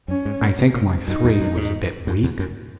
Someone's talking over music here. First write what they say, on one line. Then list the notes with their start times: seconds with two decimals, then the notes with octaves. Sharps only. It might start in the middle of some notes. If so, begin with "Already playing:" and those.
I think my "three" was a bit weak.
0.08 F#2 C#4
0.25 G#2
0.41 A#2
0.59 B2
0.74 A#2
1.08 F#2 D#4
1.24 E2
1.41 F#2
1.57 G#2
2.07 F#2
2.23 E2
2.39 F#2